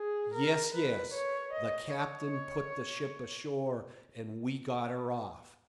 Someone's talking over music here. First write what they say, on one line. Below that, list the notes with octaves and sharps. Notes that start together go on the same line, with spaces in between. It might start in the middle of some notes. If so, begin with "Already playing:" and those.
"Yes, yes; the captain put the ship ashore and we got her off."
Already playing: G#4
A#4
B4
C#5
D#5
C#5